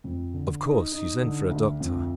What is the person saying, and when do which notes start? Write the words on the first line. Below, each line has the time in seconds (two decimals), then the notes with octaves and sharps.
"Of course you sent for a doctor?"
0.04 F2
0.34 D3
0.63 D#4
0.92 D#4
1.21 D3
1.50 D2
1.80 F2